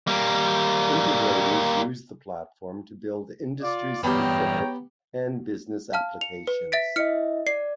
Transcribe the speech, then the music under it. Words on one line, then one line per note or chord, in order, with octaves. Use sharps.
Integrators use the platform to build industry-specific and business applications.
G3 A#3
F4 D5
E2 G2 B3 G4 C#5 G5 A#5
F5 A5 F6
C#7 F7
B4
E5 A6 B6 D7
E4 D#5 E5 F6 C#7
D5 C7